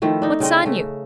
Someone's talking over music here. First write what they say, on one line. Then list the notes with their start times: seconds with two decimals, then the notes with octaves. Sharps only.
What's on you?
0.02 D#3 F3 A3 E4
0.22 D4 D#4
0.40 C#3 C4 D#5
0.65 C#3 A3